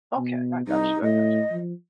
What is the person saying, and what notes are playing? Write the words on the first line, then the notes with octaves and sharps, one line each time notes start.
Okay. I got you, I got you.
B2
C2 D#4
A2 D#5
F3